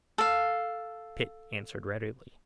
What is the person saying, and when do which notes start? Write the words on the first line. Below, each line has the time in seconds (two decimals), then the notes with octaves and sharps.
Pitt answered readily.
0.18 A4 F5